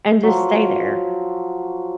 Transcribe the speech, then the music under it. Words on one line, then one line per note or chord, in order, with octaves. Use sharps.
and just stay there.
F3 F#3